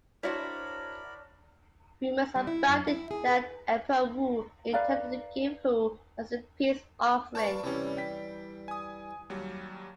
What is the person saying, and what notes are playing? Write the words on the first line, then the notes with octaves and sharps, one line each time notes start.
Rumors abounded that Emperor Wu intended to give Hou as a peace offering.
D4 E4 F#4 A#4 C5 C#5 B5
G3
E4
F#2
E4
G#4
B4
B4 D5 F5 A#5
A#3 D4 B4 A5 C#6
C3 E3 G3 C#4
G5 B6
G#5 D#6
D#2 F#3 G3